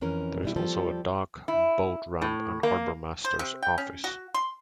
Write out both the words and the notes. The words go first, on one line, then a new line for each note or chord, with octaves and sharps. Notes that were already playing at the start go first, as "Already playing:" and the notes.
There is also a dock, boat ramp and harbormaster's office.
F2 E3 C#4 A#4
B2 G3 E4
F3 G3 A4
E4
A2
A#3
C5
C3
G5
C#4
F#4
C6